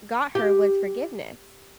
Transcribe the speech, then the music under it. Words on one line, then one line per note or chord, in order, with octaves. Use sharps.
got her was forgiveness.
G4